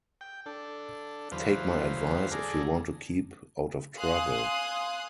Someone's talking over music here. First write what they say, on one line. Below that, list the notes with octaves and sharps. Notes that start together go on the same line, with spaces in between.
Take my advice if you want to keep out of trouble.
G5
D4 A4
E2 D3 F#3 B4 C5 F5
G#4 A4 D5 A#5
F5 G#5 C6 D#6 F#6